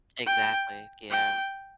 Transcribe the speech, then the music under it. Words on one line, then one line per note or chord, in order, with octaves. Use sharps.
Exactly, yeah.
G5
G5